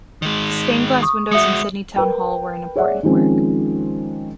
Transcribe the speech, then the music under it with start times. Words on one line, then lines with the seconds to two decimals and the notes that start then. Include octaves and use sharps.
The stained glass windows in Sydney Town Hall were an important work.
0.22 D#3 G#3
1.02 C#6 D#6
1.31 G#3 F#4 E5 D#6 C#7
1.96 A#4 B4 G5
2.76 G#4 C#5 D5 E5 F#5
3.03 D#3 F3 G#3 C4 C#4